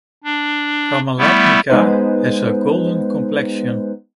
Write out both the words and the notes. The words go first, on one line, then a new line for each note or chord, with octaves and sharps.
Kamalatmika has a golden complexion.
D4
G3 A3 B3 E4
G#3 B3 D#4 B4 C5